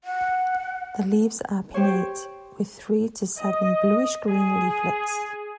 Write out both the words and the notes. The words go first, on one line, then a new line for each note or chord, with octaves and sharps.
The leaves are pinnate, with three to seven bluish-green leaflets.
F#5
G4 C5 C#5
D#5
G#4